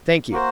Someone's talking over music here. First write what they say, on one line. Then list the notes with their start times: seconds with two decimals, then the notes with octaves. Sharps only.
"Thank you."
0.31 A#3 F#4 C5